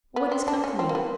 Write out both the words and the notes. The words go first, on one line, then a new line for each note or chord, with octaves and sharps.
What is come to me!
B3
C4
D4
C#4
C4
A#3
B3